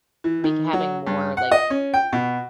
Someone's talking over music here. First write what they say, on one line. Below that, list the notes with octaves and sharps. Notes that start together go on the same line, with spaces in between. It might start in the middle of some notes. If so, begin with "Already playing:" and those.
m make having more, like,
E3
D#3
F#3
G2
F#5
D#5
C#4
G5
B2